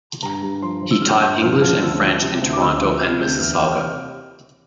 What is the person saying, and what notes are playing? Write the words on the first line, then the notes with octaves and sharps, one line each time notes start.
He taught English and French in Toronto and Mississauga.
G2 A#5
G2
F3 C6
F3
E6
G2 F6
G2 G6
F3 F6
F3 F6
D2 E6
F3
C3
D2
D6
D2 E6
F3 E6
C3 F6
D2 G6
E2 F6
E3
C3 F6